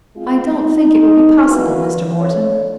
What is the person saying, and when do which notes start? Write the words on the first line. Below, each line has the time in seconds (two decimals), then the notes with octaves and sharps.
"I don't think it will be possible, Mr. Morton."
0.15 G#3 C4 F4
0.59 D#4
1.45 A#3 D4 E4 F#4 B4
2.17 F2 D3 C#5